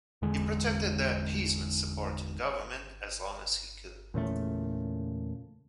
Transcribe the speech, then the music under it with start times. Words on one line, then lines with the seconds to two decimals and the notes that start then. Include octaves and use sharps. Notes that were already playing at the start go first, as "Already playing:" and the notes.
He protected the appeasement-supporting government as long as he could.
0.22 E2 D3 G#3
4.14 E2 A#2 C#3 A3